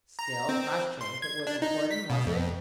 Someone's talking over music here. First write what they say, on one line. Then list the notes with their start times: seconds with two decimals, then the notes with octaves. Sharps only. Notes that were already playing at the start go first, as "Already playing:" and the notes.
"Still, Crossjay, if it was important--was it?"
0.19 A#5
0.49 C4
1.01 C6
1.22 G#6
1.47 D4
1.62 D#4
1.91 B6
2.10 B2
2.27 F2